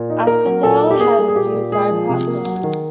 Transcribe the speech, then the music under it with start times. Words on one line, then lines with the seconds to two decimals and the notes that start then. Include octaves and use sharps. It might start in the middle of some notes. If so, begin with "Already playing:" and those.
Aspendale has two side platforms.
Already playing: A#2
0.10 D#4
0.27 A#3 A#4
0.46 F#3
0.63 A#2 A4
0.81 D#4
0.91 G4
1.00 A#3 G#4
1.19 G3
1.28 G#4
1.36 A#2 G4
1.54 A#2
1.72 G#3 G#4
1.91 F3
2.09 C3
2.27 A#3
2.45 F#3
2.63 D#3